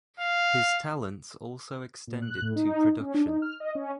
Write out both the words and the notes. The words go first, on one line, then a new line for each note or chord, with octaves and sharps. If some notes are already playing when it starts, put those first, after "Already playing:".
His talents also extended to production.
F5
A#2
F#6
A2
D#4
C#4
D4
D#4
F6
D#5
C#4